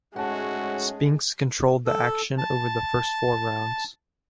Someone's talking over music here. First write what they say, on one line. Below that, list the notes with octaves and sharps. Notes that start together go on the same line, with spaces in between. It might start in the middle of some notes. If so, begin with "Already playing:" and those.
Spinks controlled the action over the first four rounds.
G#2 G#3 A3 C#4 F#4 F#5 A5
A4
A5